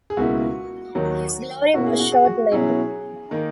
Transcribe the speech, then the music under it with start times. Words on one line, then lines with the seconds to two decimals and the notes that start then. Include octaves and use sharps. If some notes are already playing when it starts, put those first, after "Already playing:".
His glory was short lived.
0.10 G#4
0.17 C#2 B2 A#3 E4 F#4
0.95 D#2 D#3 F#3
1.74 B2 A#3 C#4 E4 F#4
1.86 G#4
2.00 F#4
2.12 G#4
2.24 F#4
2.52 B2 F#3 C#4 E4 G#4
3.31 D#3 A#3 D#4